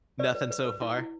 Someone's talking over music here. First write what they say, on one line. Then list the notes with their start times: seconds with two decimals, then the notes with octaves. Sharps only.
Nothing so far?
0.19 B4 D5
0.35 B4
0.51 B4
0.65 B4
0.81 E4
0.98 E4